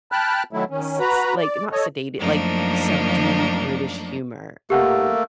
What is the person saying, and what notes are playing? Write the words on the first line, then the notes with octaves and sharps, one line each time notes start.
s s like, not sedated like, subdued British humor, um,
G5 A5 B5 F6 F#6
D#3 F#3 A3 E4
D#3 C#4
F#4 B4 A#5 B5
D5
A4 C#5 D#5
F#2 F3 A3 A#3 D4 D#4
A3 A#3 G4 F#5